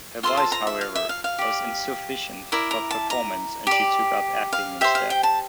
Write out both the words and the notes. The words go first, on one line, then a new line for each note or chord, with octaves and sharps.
Her voice however was insufficient for performance and she took up acting instead.
F4 A4 C5 C6
A5
A#5
E5
F5
E5
F5
F5
G4 D5
E4 A#4 D5
A#5
A5
A#5
G4 D5
F5
G4 C5 E5
F5
G5
A5